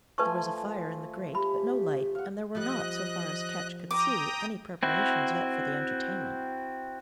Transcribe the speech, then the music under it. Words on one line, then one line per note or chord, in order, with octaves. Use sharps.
There was a fire in the grate, but no light, and there were not, so far as Ketch could see, any preparations yet for the entertainment.
F3 A3 B4 G#5 C#6
G4 B5
F5 F#5
F3 G3 D#5 F#6
G5 A#5 D6 D#6
C4 E4 F#4